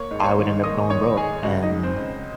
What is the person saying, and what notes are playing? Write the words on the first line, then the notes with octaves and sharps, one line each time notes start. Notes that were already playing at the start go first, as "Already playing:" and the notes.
I would end up going broke, and,
Already playing: A#3 C#5 C#6
G#2
C6
C#5 C#6
D#3
A#3 D#5 D#6
D#3 C#5 C#6
G#2 G#4 G#5
C#2 F#4 F#5
D#4 D#5
G#3
C4 C5
C#2